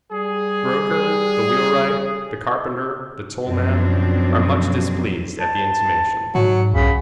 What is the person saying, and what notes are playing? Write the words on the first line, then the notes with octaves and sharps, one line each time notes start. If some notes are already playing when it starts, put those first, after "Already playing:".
The broker, the wheelwright, the carpenter, the toll-man, are much displeased at the intimation.
G3 G#4
F#2 B2 F3 C4 D4
A5
G#2 F#3
B1 C#3 B5